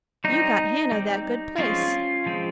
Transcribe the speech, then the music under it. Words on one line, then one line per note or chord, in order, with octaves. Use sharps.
You got Hannah that good place.
G3 C4 D#4
G3 C4
F3 G#3 C4 C#4 F4
F3 G#3 C4